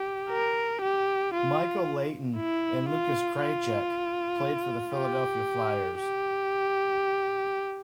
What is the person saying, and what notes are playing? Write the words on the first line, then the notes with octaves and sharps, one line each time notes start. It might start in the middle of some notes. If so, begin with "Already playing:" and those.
Michael Leighton and Lukas Krajicek played for the Philadelphia Flyers.
Already playing: G4
A#4
G4
F4
E4
F4
F4
G4
G4